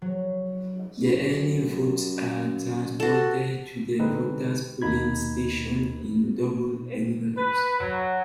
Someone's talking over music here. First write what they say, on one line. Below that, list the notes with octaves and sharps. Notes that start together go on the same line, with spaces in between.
The early votes are transported to the voter's polling station in double envelopes.
F#3
F#2
F#4 A4
D3 G#3 C4 D#4 B4
D#2 A#3 D#4 B5 G#6
B4
F#3